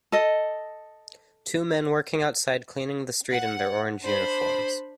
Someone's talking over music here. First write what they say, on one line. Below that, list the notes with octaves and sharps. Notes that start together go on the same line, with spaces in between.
Two men working outside cleaning the street in their orange uniforms.
A4 D#5
F#5
D4 C5 B5